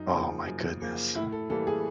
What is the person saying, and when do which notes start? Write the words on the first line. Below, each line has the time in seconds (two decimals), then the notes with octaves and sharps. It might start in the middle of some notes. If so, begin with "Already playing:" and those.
Oh my goodness.
Already playing: F#2 D#4
0.12 C#3 F3 A#3
0.47 F#2
0.81 C#3 F3 A#3
1.15 A2 E4
1.32 A4
1.50 E3 G3 A#3 A4
1.67 G#4